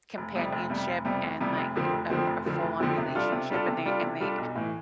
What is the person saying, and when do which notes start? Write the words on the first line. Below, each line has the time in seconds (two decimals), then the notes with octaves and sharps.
companionship and, like, a r a full-on relationship, and they and they
0.18 F1
0.35 F2 C3 G3
0.53 F1
0.70 F2 C3 G3
0.88 F1
1.05 F2 C3 G3
1.22 F1
1.41 F2 C3 G3
1.58 F1
1.75 F2 D3 F3 C4
1.93 F1
2.10 F2 D3 F3 C4
2.27 F1
2.45 F2 D3 F3 C4
2.63 F1
2.80 F2 D3 F3 C4
2.97 C3
3.15 G3 D4 F4 A4
3.32 C3
3.50 G3 D4 F4 A4
3.68 C3
3.85 G3 D4 F4 A4
4.02 C3
4.20 G3 D4 F4 A4
4.38 B1
4.56 A2 E3